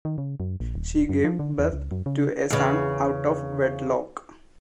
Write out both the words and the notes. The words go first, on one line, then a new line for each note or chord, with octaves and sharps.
She gave birth to a son out of wedlock.
D#3
C#3
F#2
A#1
D#1
F#2
F3
D3
E2
C#2
F#2
C#3
E2 C#3